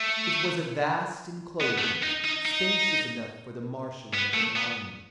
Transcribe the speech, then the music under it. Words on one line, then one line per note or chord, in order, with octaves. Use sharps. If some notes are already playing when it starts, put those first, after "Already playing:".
It was a vast enclosure, spacious enough for the marshalling of an army.
Already playing: A3
B3
A3
B3
D#4
D#4
D#4
B3
A3
B3